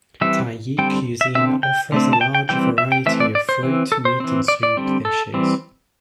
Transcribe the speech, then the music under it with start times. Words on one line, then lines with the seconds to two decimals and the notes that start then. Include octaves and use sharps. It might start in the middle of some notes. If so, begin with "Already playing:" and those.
Tajik cuisine offers a large variety of fruit, meat, and soup dishes.
0.21 E3 G3 C4 E5
0.78 D3 G3 C4 G5
1.21 E5
1.35 D3 C4 E5
1.63 G5
1.92 D3 A3 C4
2.13 A5
2.21 G5
2.34 G5
2.49 E3 G3 C4 G5
2.78 E5
2.92 G5
3.06 E3 A3 C4 E5
3.20 D5
3.35 D5
3.49 C5
3.63 E3 C4
3.92 A4
4.05 C5
4.20 E3 C4
4.48 D5
4.63 D5
4.77 D3 G3 C4
5.05 A4
5.34 E3 G3 C4